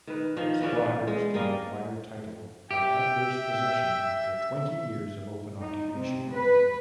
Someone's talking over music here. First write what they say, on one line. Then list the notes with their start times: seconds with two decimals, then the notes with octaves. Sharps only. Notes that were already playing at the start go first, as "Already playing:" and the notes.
Squatters can acquire title by adverse possession after twenty years of open occupation.
0.07 D#3 B4
0.37 D#3 F3
0.61 E3 B3 C#4 D5
1.07 G#3
1.34 G3 A#3 A#4 D#5
2.71 G4 E5 G5
5.62 D#4
5.94 C3
6.32 B4